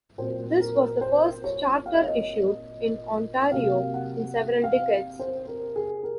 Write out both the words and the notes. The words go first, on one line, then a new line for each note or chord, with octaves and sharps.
This was the first charter issued in Ontario in several decades.
A#2 F#3 C4 C5
A#4
C5
C#5
F5
D#5
C#5
D#5
C3 F#3 A#3 F5
F#5
F#5
F5
C5
A#4
G#4
A#4